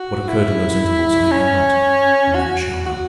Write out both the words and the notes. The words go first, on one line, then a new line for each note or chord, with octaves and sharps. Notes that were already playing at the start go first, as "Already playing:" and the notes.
What occurred in those intervals I know not, and never shall know.
Already playing: F#4
E4
C#4
F#4
F#4